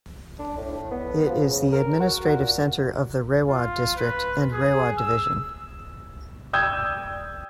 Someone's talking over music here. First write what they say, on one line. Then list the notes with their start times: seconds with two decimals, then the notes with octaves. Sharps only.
It is the administrative centre of Rewa District and Rewa Division.
0.39 D4
0.57 A2
0.72 A2
0.91 B3
1.28 F3
1.44 C#3
1.72 A#4
2.00 F#4
2.34 A#2
3.49 F4
3.96 B4
4.53 G#4
4.98 E6
6.53 D5 G5 D#6 E6 G6 G#6